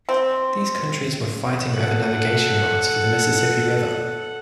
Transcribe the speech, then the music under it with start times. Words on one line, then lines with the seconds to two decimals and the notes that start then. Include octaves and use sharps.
These countries were fighting over navigation rights for the Mississippi River.
0.09 C4
1.71 A4 F#5